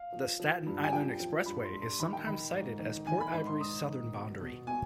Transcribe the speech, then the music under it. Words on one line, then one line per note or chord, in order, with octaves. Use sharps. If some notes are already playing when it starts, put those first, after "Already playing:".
The Staten Island Expressway is sometimes cited as Port Ivory's southern boundary.
Already playing: F5
F3
F3
G2
G#5
F3 G5
F3
G2 B5
C6
G2
C6
D#3 B5
G5
D#3 B5
G#2
D#3
D#3 G#5
B5
G#2 B5
C6
G#2 D#6
D#3
B2
B2
B2 G#5